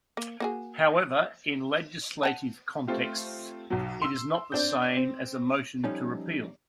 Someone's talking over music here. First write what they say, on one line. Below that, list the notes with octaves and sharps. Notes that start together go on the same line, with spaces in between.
However, in legislative contexts, it is not the same as a motion to repeal.
A#3
A#3 F#4 G#4
F#5 G5 A5
A3 C4 F4 G4
B1 F#3
C6 E6
C4 D4 G6
C4
F3 G3 C#4 D#4 A4